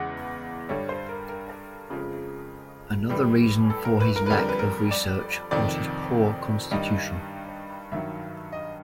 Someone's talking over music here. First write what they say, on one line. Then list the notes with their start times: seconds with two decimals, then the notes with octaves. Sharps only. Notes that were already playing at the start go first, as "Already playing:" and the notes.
Another reason for his lack of research was his poor constitution.
Already playing: E2 C#3 E3 G#3 F#5
0.69 G2 D3 G3 C#5
0.89 C5
1.09 A#4
1.29 A#4
1.90 F2 C#3 F3 G#3
3.09 A2 E3 G3
3.70 A4
3.85 A#4
4.00 B4
4.16 A#4
4.26 F2 D3 G3 B4
4.37 A#4
4.49 B4
4.59 A#4
4.91 D5
5.51 F2 C3 D#3 D5
6.71 G2 D#3 G3 D#5
7.92 G2 D#3 F#3 E5
8.52 D#5